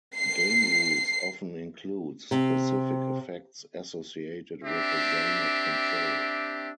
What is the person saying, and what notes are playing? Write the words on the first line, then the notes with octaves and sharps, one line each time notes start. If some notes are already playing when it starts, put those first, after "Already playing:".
Game rules often include specific effects associated with a zone of control.
C7
C3
C4 D4 G4 E5